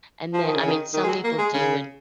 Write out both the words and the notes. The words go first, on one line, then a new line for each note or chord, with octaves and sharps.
and then I mean, some people do and,
F3
D#3
C#3
D#3
D#3
G#3
F#3
A#3
G#3
C#3